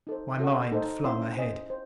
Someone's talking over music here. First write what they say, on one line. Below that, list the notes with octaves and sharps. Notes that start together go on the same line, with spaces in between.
My mind flung ahead.
D#4 A4 C5
F#4 A4 C#5 F#5
D#4 A4 C5 D#5
C#4 E4 C5 E5 C6
C5 D#5 G#5
C5